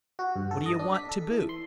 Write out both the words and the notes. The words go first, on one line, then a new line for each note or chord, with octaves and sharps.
What do you want to boot?'
F#4
G2
A4
D#5
D4
B6
A4
E3
C6